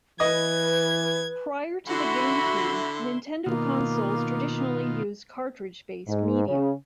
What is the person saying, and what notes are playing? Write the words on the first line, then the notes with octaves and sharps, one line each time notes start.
Prior to the GameCube, Nintendo consoles traditionally used cartridge-based media.
E3 B4 D#5 D#6 G#6
D3 E4 F#4 E5 B5 C6
B2 D#3 A#3 F4
G#2
C#3